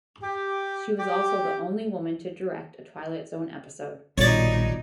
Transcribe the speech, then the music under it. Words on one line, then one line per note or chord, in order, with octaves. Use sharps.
She was also the only woman to direct a "Twilight Zone" episode.
G4
G4
A#1 B2 D#3 G3 D#4 C#5 D5